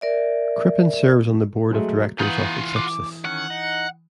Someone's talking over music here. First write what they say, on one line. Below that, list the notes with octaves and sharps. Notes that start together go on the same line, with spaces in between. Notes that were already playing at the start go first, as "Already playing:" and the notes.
Crippen serves on the board of directors of Eclipsys.
A#4 D5 E5
F#3 G#3 A3
E3 B3 F4 F#5 A#5 D#6 G6
D6
D#3 C#4 F#5
D#4